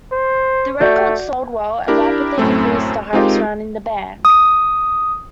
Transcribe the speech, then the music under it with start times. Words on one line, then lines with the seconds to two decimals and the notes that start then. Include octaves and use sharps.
The record sold well and rapidly increased the hype surrounding the band.
0.12 C5
0.80 A3 F#4 D5 G6
1.88 D4 E4 G4 A#4
2.38 F#2 A2 A3 C4
3.13 G#3 C4 D#4 F4 G4 A#4
4.25 D#6